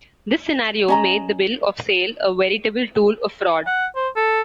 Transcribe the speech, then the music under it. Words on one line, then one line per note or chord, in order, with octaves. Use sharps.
This scenario made the bill of sale a veritable tool of fraud.
C#4 D#5 A#5
F#5
C5
A4